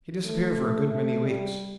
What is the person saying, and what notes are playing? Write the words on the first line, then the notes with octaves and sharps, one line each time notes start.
He disappeared for a good many weeks.
A3
A3
G3